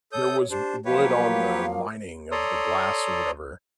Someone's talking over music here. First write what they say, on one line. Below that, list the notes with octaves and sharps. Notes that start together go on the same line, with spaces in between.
there was w wood on the lining of the glass or whatever,
A4 C#5 D#6 G6
D4 G4 C5
F3 F#3 A#3 G4 B4 C#5 F5
A4 C#5 D5 A#5 C6 D#6